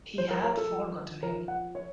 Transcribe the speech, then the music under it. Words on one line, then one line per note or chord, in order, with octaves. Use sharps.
He had forgotten him.
F3 C5
A#4
A#4
A4
F3
F3 A#4
F#5
C#5